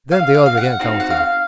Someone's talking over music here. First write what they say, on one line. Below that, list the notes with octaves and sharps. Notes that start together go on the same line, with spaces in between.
Then they all began counting.
F5
F5
F5
F#5
C4 D#4 F#4 F5
F#5
F5